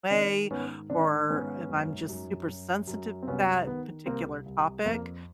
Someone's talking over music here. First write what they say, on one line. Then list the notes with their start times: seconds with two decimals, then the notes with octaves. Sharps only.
away, or if I'm just super sensitive to that particular topic,
0.10 D#3 C4 D4
0.50 G#2 B3 C#4
0.90 D#3 C4 D4
1.30 G#2 B3 C#4
1.69 F#2
2.09 F#2
2.48 F#2
2.87 F#2
3.23 C4
3.27 C2 B3 C#4
3.67 D#3 B3
4.06 C2 A#3 C4
4.46 C2
4.85 F2 A#3